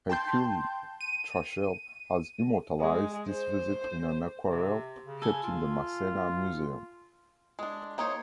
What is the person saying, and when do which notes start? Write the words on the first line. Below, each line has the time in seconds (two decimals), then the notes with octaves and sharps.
Hercule Trachel has immortalized this visit in an aquarelle kept in the Masséna Museum.
0.10 G5 A5 C6 G6
1.01 D#7
2.80 G#3
3.30 C5
4.47 C3
5.06 C#3
5.22 A4 G#5
5.43 F4
7.59 G#3 D4
7.98 A#3 D#4 C5 C#5